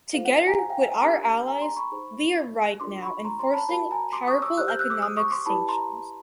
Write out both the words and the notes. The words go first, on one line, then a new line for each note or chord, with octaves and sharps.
Together with our allies – we are right now enforcing powerful economic sanctions.
F4 A4 C5 F5
F#5
F#5
G#5 A#5
F#5 G#5
F5 G5
F#5 G#5
G#5 A#5
D4 G4 A#4
G#5 A#5
A#5 C6
B5 C#6
D#4 G#4 C5
D4 F4 A#4 D5 C6 D6
B5 C#6
A#5 C6
A#5 C6
A5 B5
F#4 A#4 C#5 A5 B5
G#5 A#5
C6 D6
C#6 D#6
D6 E6
G4 C5 E6 F#6
F6 G6
E6 F#6
D6 E6
D#6 F6
C#6 D#6
C6 D6
E4 G4 B4 D5 A5 B5
A#5 C6